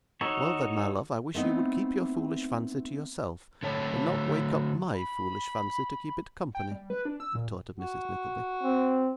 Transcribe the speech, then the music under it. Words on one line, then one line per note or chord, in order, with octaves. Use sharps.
'Well, then, my love, I wish you would keep your foolish fancy to yourself, and not wake up MY foolish fancy to keep it company,' retorted Mrs Nickleby.
D#4 F#4 A4 C#5
A3 B3 C4 D#4 E4
D3 A3 C#5 A5
B5
G5
G3
B4
D4
E6
A#2
F#4
C4